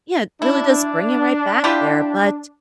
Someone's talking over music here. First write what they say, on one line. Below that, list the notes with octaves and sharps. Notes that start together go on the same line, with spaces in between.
yeah, it really does bring you right back there. But,
D4 E4
E4 F4 G4